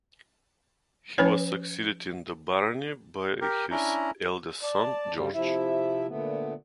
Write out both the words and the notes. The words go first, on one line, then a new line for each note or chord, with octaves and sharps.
He was succeeded in the barony by his eldest son, George.
F3 C#4 B4 C#5
G4 A#4
C#4 D4 E4 A#5
D5 A5
G2 C#3 G3
C3 F3 E4 E5
A#2 D3 A3 B3